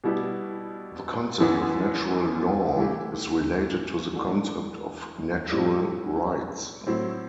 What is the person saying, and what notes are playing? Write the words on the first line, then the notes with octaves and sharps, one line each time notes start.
The concept of natural law is related to the concept of natural rights.
B2 G3 B3 E4 G4
F#2 E3 B3 E4
E3 A3 E4 G4
E3 A3 D4 F#4
A2 G3 C4 E4
A2 F#3 C4 E4